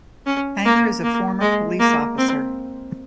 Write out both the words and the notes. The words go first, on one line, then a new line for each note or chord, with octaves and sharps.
Hanger is a former police officer.
C#4
A#3
A#3
G#3
A#3
C4